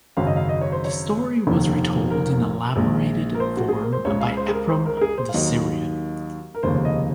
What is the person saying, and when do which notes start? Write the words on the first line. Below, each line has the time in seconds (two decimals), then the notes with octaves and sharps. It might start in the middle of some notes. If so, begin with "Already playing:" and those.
The story was retold in elaborated form by Ephrem the Syrian.
0.17 G#1 F#2 C#3 F5
0.27 D#5
0.36 F5
0.49 D#5
0.61 C#5
0.72 C5
0.85 C#5
1.47 F1 D#2 D#3
2.10 A#4
2.76 A#1 A#2 G#3
3.35 A#4
3.40 C5
3.57 F#4
3.68 G#4
3.81 A#4
3.93 C5
4.05 C#2 C#3 G#3 C#5
4.21 F5
4.37 C5
4.48 G#4
4.53 A#4
4.69 C5
4.85 A#4
4.97 A#4
5.01 G#4
5.18 C5
5.29 F5
5.34 D#2 D#3 F#3 D#5
6.55 A#4
6.63 F1 D#2 C#3 C5
6.85 D#5